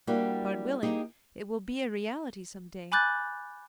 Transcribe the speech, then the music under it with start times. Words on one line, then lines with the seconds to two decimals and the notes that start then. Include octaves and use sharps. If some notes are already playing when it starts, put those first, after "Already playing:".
God willing, it will be a reality some day.
0.07 G3 A#3 D4 E4 F#4 G4
0.83 A#3 D#4 G4 G#4
2.92 G#5 B5 D6 F#6 G6 A6